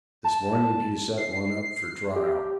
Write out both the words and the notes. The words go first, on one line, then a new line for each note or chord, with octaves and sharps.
This morning he sent one up for trial.
A5
C7
G4